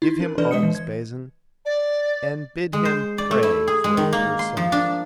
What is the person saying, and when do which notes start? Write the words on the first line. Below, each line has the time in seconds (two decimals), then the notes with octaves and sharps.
"Give him alms, Bazin, and bid him pray for a poor sinner."
0.02 D#4 E4
0.20 C#4 A#4
0.38 E3 D4 A4 B4 D5 F6
0.51 G#3 B4 D#5 D#6 C#7
0.63 E3
0.75 G#6
1.65 D5
2.73 G#3
2.85 C5
3.18 D5
3.31 A3
3.43 E4
3.68 G#4
3.84 G#3
3.97 D#3
4.13 A#3
4.39 C6
4.57 F3
4.72 D4